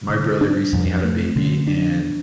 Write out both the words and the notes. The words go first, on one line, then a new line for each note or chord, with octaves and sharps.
my brother recently had a baby, and
D3
D4
F2
A3
D3
D4